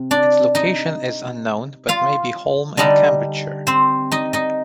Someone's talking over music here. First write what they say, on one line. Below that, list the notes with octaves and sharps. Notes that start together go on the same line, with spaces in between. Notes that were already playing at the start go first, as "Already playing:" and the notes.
Its location is unknown but may be Holme in Cambridgeshire.
Already playing: C3
D4 D5
D#4 D#5
F4 F5
D3 G3 D4 D#4 D#5
C4 C5
D#4 D#5
D#4 D#5